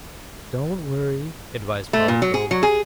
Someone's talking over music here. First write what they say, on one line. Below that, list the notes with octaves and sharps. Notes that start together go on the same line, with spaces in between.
"Don't worry," advised Polychrome.
A3
A#2
F#3
G#4
F#3
G#4